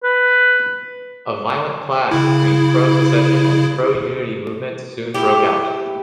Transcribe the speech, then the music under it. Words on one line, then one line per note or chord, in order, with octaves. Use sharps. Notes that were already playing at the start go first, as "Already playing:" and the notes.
A violent clash between pro-secession and pro-unity movements soon broke out.
B4
C#3 E4
E4 G4